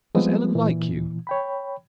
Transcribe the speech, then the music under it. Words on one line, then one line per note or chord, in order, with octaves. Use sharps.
'Does Ellen like you?'
F3 G3 G#3 B3 C4
A#2 E3
C#5 G5 B5